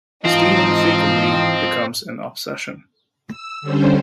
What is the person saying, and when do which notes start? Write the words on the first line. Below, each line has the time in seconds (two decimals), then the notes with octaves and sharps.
Stealing frequently becomes an obsession.
0.25 G#2 E3 F3 C4 D#4 F4 D#5 F5
3.28 E6
3.62 D3 G3 C#4 C5